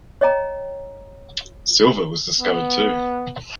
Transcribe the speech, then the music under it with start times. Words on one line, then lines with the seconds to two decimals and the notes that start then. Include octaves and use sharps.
Silver was discovered too.
0.21 C#5 D#5 G5 A#5
2.41 B3